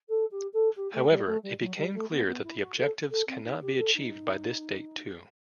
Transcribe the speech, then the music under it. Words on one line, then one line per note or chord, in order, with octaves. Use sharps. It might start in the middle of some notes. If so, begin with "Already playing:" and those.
However, it became clear that the objectives cannot be achieved by this date too.
A4
G4
A4
G4
A3
G3
A3
G3
F#3
G3
A3
B3
B3
E4
F#4
A4
A4
C4
D#4
G4
A4
D#4